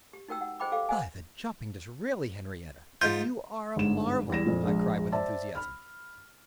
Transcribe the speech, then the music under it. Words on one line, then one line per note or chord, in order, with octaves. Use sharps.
"By the jumping Disraeli, Henriette, but you are a marvel!" I cried, with enthusiasm.
G4
D#4 F#4 A#4 G5 E6
F#5
G#4 C5 D#5 G5 B5 D6
G4 A4 F5 D6
A#4 C5 D#5 F5 F#5 G#5
G#2 F4 G6
G1 G#2 E7
E2 G3 A#6 E7
F2 A#2
A#1 G#3
C5 D5 E5 A5
B5 F6